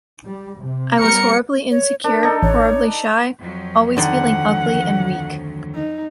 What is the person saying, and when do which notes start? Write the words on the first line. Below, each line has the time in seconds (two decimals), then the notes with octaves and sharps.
I was horribly insecure, horribly shy, always feeling ugly and weak.
0.23 G3
0.59 C3
1.00 G3 B3 A#4 C#7
1.71 C#5
2.04 D4 A#4
2.23 D4 D#4 A4 A#6
2.42 A1 C#5
3.39 F2 F3 F#3
3.97 D2 D3 D#3 F#5
5.74 D#4